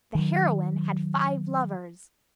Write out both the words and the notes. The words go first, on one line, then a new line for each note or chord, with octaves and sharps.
The heroine had five lovers.
D#3 F#3